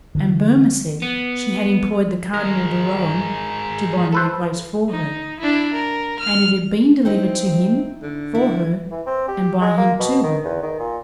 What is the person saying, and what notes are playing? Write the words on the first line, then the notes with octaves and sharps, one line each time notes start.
And Boehmer said, she had employed the Cardinal de Rohan to buy the necklace for her, and it had been delivered to him for her, and by him to her.
D3 E3
B3
G#3 A#4
A4 B4 C5
D#4
D4 E4
A#4
F6
C4 D#4 E4 D#5
D3
E4
E3
C4
G4
G#3
A#3
B2
D#3
E2
D#3
A#2